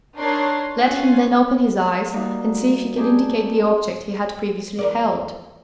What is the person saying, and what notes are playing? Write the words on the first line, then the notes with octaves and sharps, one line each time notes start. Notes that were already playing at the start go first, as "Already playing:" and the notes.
Let him then open his eyes and see if he can indicate the object he had previously held.
D4 D#4 A#4 C#5 C6
C#4 F4 F#5 G#5
G3 A#3 D#4 F#4 E5
A3 C4 D4 D#4 G4 G#4
E2 A#4 D5